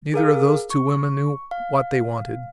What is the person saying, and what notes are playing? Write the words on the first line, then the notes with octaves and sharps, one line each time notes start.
Neither of those two women knew what they wanted.
G#4 A#4 F5
C#6
F5